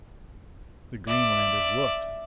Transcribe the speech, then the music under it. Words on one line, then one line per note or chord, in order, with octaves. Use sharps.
The Greenlanders looked.
D5 E5